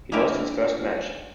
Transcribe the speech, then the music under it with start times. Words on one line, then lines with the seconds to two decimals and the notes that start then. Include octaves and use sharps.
He lost his first match.
0.12 G#3 A#3 D4 E4 G4 A#4